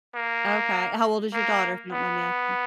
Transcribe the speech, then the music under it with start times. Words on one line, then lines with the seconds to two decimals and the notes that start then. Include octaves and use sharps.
Okay how old is your daughter, if you don't mind me asking?
0.15 A#3
1.33 A#3
1.92 B3